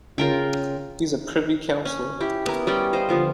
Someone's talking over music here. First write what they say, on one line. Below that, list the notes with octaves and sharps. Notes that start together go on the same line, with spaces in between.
He is a Privy Counsellor.
C#3 F4 A#4 G5
C#4
E4 G4
B3 E4 A#4
G3 C#4 D5 G5
C5 D#5 F5
D3 F3 B3